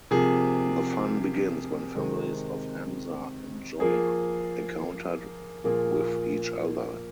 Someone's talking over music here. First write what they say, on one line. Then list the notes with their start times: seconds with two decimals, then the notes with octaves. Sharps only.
The fun begins when families of Hamza and Joya encountered with each other.
0.11 C3 F3 A#3 G#4
1.95 C3 D#3 G#3 C4
3.80 F3 A#3 G#4
5.64 A#2 F3 A#3 G#4